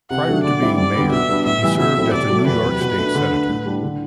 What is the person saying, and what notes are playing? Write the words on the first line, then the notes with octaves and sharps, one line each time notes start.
Prior to being mayor, he served as a New York State Senator.
C3 F#5
F#3 A3 D4
D3 D5
G3 C4 E4
G2 D5
D3 G3 B3
B2 E5
G3 B3 D4
A2 E5
E3 G3 B3
B2 E5
F#3 A3 C4 E4
C3 D5
F#3 A3
E2 B4
C3 F#3
B2
A3 D4
D3
A3 D4
A2
G3 D4
D3